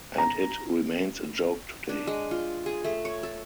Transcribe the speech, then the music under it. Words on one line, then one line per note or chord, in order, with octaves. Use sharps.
And it remains a joke today.
A#5
D4
G#3
F4
G#4
A3
C#5
A4